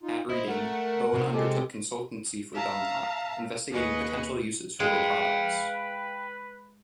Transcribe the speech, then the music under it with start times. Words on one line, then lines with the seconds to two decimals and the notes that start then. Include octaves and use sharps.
At Reading, Bowen undertook consultancy for Dunlop, investigating potential uses for their products.
0.01 D#4 F4
0.30 E4 C5 D#5
0.48 A3 A#4 F#5
1.14 C3 C4
1.33 G#3 G4 A4
2.53 E5 F5 A5 A#5
3.70 D#2 G#4 B4 D#5 C#6
4.80 G#3 B4 F5 G5